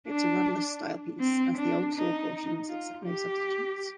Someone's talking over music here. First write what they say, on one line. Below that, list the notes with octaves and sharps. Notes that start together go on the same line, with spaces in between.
It's a rudderless style piece; as the old saw cautions, accept no substitutes.
D4
C4
D4
D#4
F4
G4